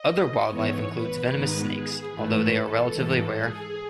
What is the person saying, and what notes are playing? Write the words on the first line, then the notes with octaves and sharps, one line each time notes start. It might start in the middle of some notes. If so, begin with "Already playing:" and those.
Other wildlife includes venomous snakes, although they are relatively rare.
Already playing: D#5
G#2 E3 B3 C#5
B4
G#2 D#3 G#3 B3
G#4
G#2 E3 A3 B4
A4
G#2 E3 G#3
G#4